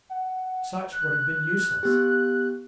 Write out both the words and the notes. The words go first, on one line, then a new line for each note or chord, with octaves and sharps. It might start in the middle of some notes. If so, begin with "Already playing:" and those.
Such would have been useless.
F#5
F#6
B3 G4